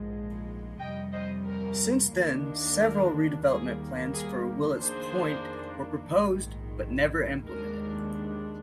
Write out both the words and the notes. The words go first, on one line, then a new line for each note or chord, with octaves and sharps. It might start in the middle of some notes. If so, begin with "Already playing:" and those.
Since then, several redevelopment plans for Willets Point were proposed, but never implemented.
Already playing: A#1 G#2 F3 G#3
F2 C3 G3 D#5 G5
C5 D#5
A#4
D#2 D#3 A#3 D4
A#4
D#2 D#3 G3 A#3 G#4
G#4
F2 D#3 A#3 D4 G#4 C5
A#1 G#2 D#3
D#2 D#3 G#3 D4 A#4